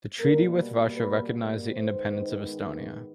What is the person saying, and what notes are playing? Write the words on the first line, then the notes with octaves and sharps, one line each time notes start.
The treaty with Russia recognized the independence of Estonia.
B2 G3 A#3 A#4
B4
G#2 D#3 G#3 B3 C5